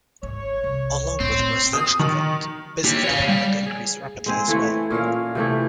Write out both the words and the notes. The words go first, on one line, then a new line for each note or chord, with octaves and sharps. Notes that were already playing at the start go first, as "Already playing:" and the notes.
Along with residential development, business development increased rapidly as well.
G#1 C#5
C2
A2 C4
D#6
D#3
A#3 G4
C#5 F5
G3
G#4
G#3 C4 G#4
E3 A3 E4 C#5
A#2 C#4 A#4 F5
C3 E3 A3 E4